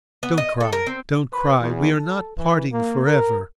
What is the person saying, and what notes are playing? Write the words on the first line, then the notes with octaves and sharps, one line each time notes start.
Don't cry, don't cry: we are not parting for ever!
B3
D#5
A4
A#4
C4
B4
E2
A4
E3
A#3
A#4